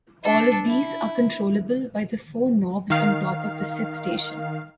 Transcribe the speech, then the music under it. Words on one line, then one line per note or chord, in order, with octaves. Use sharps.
All of these are controllable by the four knobs on top of the SidStation.
D4 A4
E4
D#3 F5